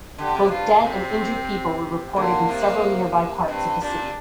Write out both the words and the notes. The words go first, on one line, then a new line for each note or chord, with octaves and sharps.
Both dead and injured people were reported in several nearby parts of the city.
D3 G4
C3
G2 F4
C3 C4
D3 A#3
C3
G2 C4
A#2 D4